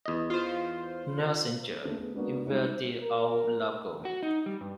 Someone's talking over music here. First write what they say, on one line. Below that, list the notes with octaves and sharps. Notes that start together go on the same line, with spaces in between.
Nelson George, in Where Did Our Love Go?
E2 D#5
F4 C5
D3 A3 A#3
B3 G#4
G#3 A#3 B3 D4 F#4 A#4
G3 G#3 D#4 F#4
A#4
F#4
D#4
G3
G2